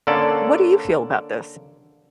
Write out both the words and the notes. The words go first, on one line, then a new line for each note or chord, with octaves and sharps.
What do you feel about this?
D3 A#3 C#4 A4 D5